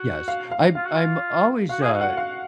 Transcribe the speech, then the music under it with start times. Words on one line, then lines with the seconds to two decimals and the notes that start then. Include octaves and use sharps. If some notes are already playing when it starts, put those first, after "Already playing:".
Yes. I'm I'm always, uh,
Already playing: F#4
0.28 F5
0.51 F5
0.75 F4 F5
0.86 F#4
0.96 F4
1.69 F#4 F5
1.81 G#4 F5
1.93 F#4
2.01 F#5
2.17 F5